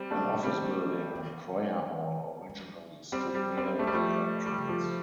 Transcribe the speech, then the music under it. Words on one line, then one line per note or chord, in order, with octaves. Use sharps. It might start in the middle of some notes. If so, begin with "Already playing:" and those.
An office building and prayer hall originally stood near the entrance.
Already playing: G3 C4
A3 D4
G3 C4
G3 C4
G3
G3 C4
A3
G3
F3 A3
G3
F3